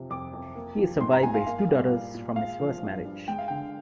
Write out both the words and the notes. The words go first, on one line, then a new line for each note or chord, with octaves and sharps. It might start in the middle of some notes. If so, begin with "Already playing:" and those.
He is survived by his two daughters from his first marriage.
Already playing: F2 C3 F3
F2 D6
F2
A#3
F3
G#2 C6
A#5
G#2 G#5
F5
A#3 F5
G3
A#2
A#2
G#3 F5
F3
G2
G2
G#3 G5
F5
D3 G5